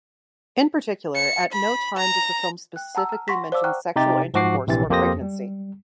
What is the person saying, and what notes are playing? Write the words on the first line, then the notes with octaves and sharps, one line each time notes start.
In particular, at no time does the film specifically mention sexual intercourse or pregnancy.
C#7
B5
A#5
G5 F#6
F#5 A5 A#5 E6
A#5 F6
F#5 C6 C#6 A#6 B6
C5 D5 F5 A5 D6 E6
F#5 G5 A#5 C#6 F6 F#6
C3 D#4 G4 A6
G#2 F3 F#4 D6 C7
A#1 C3 E3 A6
F2 A#3 G4 C5 D#6 A#6
G3